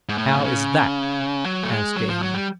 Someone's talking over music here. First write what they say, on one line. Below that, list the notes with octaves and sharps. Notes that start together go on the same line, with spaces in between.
"How is that?" asked Gahan.
G#2
A2
C3
C#3
F#3
A3
G#3
F#3
F3
F#3
G3